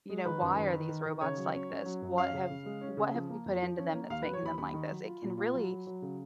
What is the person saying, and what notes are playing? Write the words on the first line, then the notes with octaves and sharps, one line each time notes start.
You know, "Why are these robots like this? What have what have we put into them that's making them like this?" It can really,
G#3
D#3 B4
F#2
D#3
D#3
D#3
D#3
C#3 C#5
F#3
C#4
C#4
F#3
F#2
C#4 F5
C#3
C#3
G#3
C#4
C#3
F3
A#3
F2
F3
C#4
A#3
D#2 F5
B4
F#3
C#5
D#2 B5
D#2 B5
D#3
F#3
F4
A#2
F4
F#3
F#3
F#3
C#3